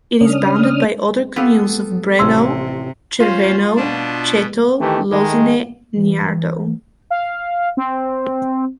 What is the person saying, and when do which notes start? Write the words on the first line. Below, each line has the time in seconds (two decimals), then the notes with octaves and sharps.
It is bounded by other communes of Breno, Cerveno, Ceto, Losine, Niardo.
0.21 C#3 C#4 D4 D#6 F6
1.36 B3 F4 G4 A4 F5
2.19 A1 C3 F3 C#4 C6 E6
3.20 C#4 F4 C5
3.77 B2 B3 D4
4.80 D#3 E3 A3 G4
5.11 D#3 G#3 A3 D#4
5.96 E3
7.11 F5
7.77 C4